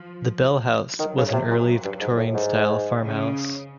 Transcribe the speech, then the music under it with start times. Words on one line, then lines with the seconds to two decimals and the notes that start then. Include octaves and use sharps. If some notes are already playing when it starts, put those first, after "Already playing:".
The Bell House was an early Victorian style farm house.
Already playing: F3
0.99 D#3 F#3
1.17 C#3
1.33 C3
1.51 A#2
1.84 G2
2.01 G#2
2.17 A2
2.34 G#2
3.02 C#3